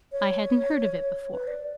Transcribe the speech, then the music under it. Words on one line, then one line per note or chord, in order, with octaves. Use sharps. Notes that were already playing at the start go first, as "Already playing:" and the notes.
I hadn't heard of it before.'
C#5
B4
D5